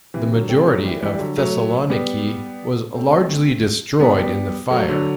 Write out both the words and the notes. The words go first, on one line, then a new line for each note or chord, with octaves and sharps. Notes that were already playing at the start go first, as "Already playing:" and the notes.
The majority of Thessaloniki was largely destroyed in the fire.
C3 E3
D3 F#3
A3 C4
F#3 A3
E3 G3
E3 G3
G3
D3 F#3
F#3 A3
G3 B3
A3 C4
G3 B3
G3 B3
F#3 A3
D3 F#3